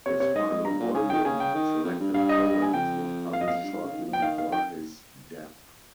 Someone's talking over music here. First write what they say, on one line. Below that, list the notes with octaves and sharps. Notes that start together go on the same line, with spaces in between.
His final volume, "Selected Poems", was published shortly before his death.
C3 C#5
C3 C#5
G#2 D#5
F2 D#5
G2 A#5
A#2
C#3 G#5
D#3 G5
C#3 G#5
G5
D#3
F2
G2
G2 F5
D#5
G#5
F2 G5
F5
D#5
F5
F2
G2
G#2
C#3
D#3
F3
G5
D#3 F5
F5
D#3 G5